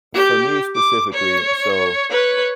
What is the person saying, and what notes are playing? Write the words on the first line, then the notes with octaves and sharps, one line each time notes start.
for me specifically, so
G4
D6
C#5
B4 C#5